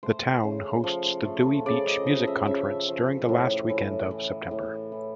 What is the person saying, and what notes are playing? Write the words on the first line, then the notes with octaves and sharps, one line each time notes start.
The town hosts the Dewey Beach Music Conference during the last weekend of September.
A3 C5
C#3
F3
A3
C#3 D5
D#5
F3 D#5
E5
C#3 E5
F3
A2
E3
E3
A2
E3